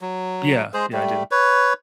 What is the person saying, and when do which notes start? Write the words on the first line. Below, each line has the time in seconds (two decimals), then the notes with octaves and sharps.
Yeah, yeah, I do.
0.01 F#3
0.74 G#3 G#4 C5
0.93 G3 A3
1.31 B4 C#5